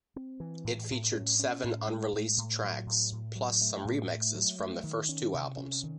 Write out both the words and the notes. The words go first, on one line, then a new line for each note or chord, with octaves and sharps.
It featured seven unreleased tracks plus some remixes from the first two albums.
C4
E3
A2
A2
C#4
C#4
A2
G#3
A2
A2
F#3
A2
A2
F#3
A3
A2
A3
F#3
A3
D#3
C#4
C3
C#4
D#3